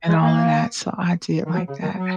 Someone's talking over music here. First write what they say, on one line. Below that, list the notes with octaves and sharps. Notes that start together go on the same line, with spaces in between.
and all of that so I did like that.
G#3
A#3
D#3
F#3
C#3
D#3
F#3